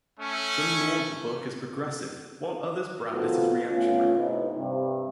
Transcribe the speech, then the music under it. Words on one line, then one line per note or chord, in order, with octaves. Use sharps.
Some laud the book as progressive while others brand it as reactionary.
A3 C#4
D#3 F3 B3 F4 F#4 A4
A3 B3 C#4 F4
A2 C3 D#4 B4
G2 C3